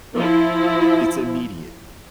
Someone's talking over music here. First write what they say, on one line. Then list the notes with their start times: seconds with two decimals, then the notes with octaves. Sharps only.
It's immediate.
0.15 F3 E4